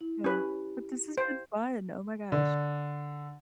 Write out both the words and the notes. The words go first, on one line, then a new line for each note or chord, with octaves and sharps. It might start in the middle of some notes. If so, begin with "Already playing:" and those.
Eh, but this has been fun, oh my gosh.
E4
C#4 G4 B4
C5
D3